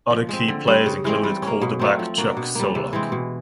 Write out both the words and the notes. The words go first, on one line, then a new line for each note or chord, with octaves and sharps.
Other key players included quarterback Chuck Zolak.
F3
G#3 C4
D3
G3 C4
C#3
E3 G#3 C4
G3
C#4
A#3
B2
F#3 A3 C4
F3
A#3 D4 F#4
B2
G3 A#3
C3
E3 G#3 C4
B2